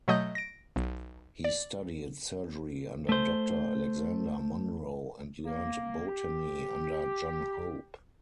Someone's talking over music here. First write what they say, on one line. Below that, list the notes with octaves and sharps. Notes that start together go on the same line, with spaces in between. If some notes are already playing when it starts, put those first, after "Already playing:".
He studied surgery under Doctor Alexander Monro and learnt botany under John Hope.
B2 F#3 A3 D#5 D#6 G6
A#6 D7
B1
D5
A3 C5
A#3
G4